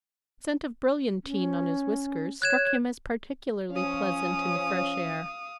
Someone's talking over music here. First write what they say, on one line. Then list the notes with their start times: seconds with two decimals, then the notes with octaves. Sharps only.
The scent of brilliantine on his whiskers struck him as particularly pleasant in the fresh air.
1.24 C#4
2.42 C#5 F#6 G#6 E7
3.72 F3 C#4 F5 D#6